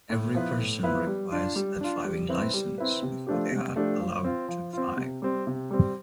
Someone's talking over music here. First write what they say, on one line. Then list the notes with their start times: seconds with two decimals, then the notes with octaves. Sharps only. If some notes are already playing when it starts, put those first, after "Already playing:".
Every person requires a driving license before they are allowed to drive.
0.10 A2
0.35 F3 B3 E4 B4
0.58 A2
0.83 F3 B3 E4 B4
1.07 G3
1.32 D4 F4
1.56 G3
1.81 D4 F4
2.05 G3
2.29 C4 E4 B4
2.54 G3
2.78 C4 E4 B4
3.03 C3
3.27 F3 A3 D4 G4
3.51 C3
3.75 F3 A3 D4 G4
4.00 F3
4.24 C4 F4
4.49 F3
4.73 C4 F4
4.97 C3
5.22 G3 C4
5.47 C3
5.71 G3 C4